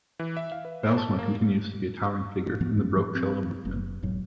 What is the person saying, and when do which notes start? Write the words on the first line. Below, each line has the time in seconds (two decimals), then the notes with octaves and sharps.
Bylsma continues to be a towering figure in the baroque cello movement.
0.19 E3
0.37 E5
0.52 F5
0.65 B4
0.83 C5
0.97 A5
1.19 A#3
2.60 D2 G#2 F3 B3
2.77 F#2 C#4
2.97 F3
3.15 C4
3.65 F#1
4.03 E1 G#2 F#3